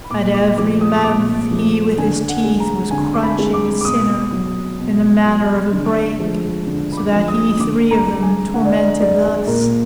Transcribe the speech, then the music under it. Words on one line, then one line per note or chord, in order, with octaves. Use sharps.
At every mouth he with his teeth was crunching A sinner, in the manner of a brake, So that he three of them tormented thus.
B5
A#2 D6
D6
F3 G#3 D6
D#6
A#2 D6
F3 G#3
D3 G#5
F#5
G#3
A#5
D3 G#5
D6
B5
G#3
D6
D6
B2 D#6
F#3
B2
F#3
D3
F3 G#3
D3
B5
D6
F3 G#3
D#6
D3 D6
A#5
G#3
G#5
D3 F#5
D5
D#5
G#3 D5
G#4
A#2 A#4